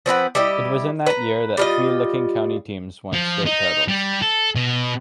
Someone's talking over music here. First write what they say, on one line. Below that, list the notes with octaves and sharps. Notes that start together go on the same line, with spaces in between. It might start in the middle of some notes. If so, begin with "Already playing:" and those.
It was in that year that three Licking County teams won state titles.
F3 C4 B4 F#5
G3 E4 G4 D#5
B4 A#5
G3 F4 D#5
F3
D#4
G3
A4
B2